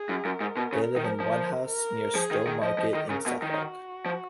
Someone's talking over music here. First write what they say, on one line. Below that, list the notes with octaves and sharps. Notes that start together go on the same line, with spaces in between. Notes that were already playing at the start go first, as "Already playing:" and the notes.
They live in Onehouse near Stowmarket in Suffolk.
Already playing: G#4
F#2
F#2 A#4
G#2
B2
C#3
D#3
F3
F3
A#4
F3 G#4
D#3
D#3
F3 D#5
F3
D#3
C#3 A#4
B2
D#3
F#4
F3